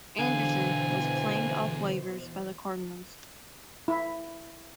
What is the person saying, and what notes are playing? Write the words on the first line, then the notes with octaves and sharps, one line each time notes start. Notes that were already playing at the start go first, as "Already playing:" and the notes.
Anderson was claimed off waivers by the Cardinals.
E2 B2 D3 E3 C5 F5 G#5
E4